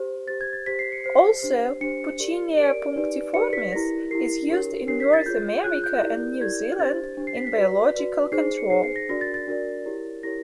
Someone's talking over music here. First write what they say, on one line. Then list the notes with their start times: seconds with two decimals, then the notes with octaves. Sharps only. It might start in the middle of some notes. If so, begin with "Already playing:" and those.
Also "Puccinia punctiformis" is used in North America and New Zealand in biological control.
Already playing: G4 C5
0.27 G4 C5 A6
0.41 G#6
0.53 A6
0.66 G4 C5 B6
0.79 C7
0.92 C#7
1.04 G4 C5 C7
1.43 D4 G4 C5
1.81 D4 G4 C5 C#7
2.20 G4 A#4 D5
2.57 G4 A#4 D5 D7
2.96 D#4 G4 B4 D5
3.34 D#4 G4 B4 D5 C#7
3.53 B6
3.72 E4 G4 A#4 A#6
4.11 E4 G4 A#4 C7
4.49 D4 G4 A#4 C#5
4.87 D4 G4 A#4 C#5 C7
5.00 B6
5.13 A6
5.26 F4 G#4 C#5 G6
5.64 F4 G#4 C#5 F#6
5.84 G6
6.03 E4 G4 A#4 D5
6.41 E4 G4 A#4 D5 G#6
6.79 D4 G4 C5 A6
7.17 D4 G4 C5
7.27 C7
7.37 B6
7.47 B6
7.55 F#4 B4 D5
7.94 F#4 B4 D5
8.32 D#4 G#4 C5 C7
8.57 C#7
8.70 D#4 G#4 C5 C7
8.84 C7
8.96 A#6
9.09 D4 F#4 A#4 D5 A#6
9.21 A6
9.34 A6
9.47 D4 F#4 A#4 D5
9.85 E4 G4 A#4 C#5
10.23 E4 G4 A#4 C#5 A#6